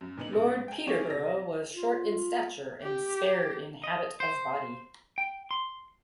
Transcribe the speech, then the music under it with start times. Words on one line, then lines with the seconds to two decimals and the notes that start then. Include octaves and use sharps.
Lord Peterborough was short in stature and spare in habit of body.
0.01 F#2
0.17 A#2 D3 B3 D#4 F#7
0.33 A1
0.68 G5 G#5
0.87 G3 C4 D#4 G#4 C#5 D5
1.10 C3 A#6
1.74 F4
2.83 G4
3.84 D#5
4.20 C5
5.18 G5
5.51 C6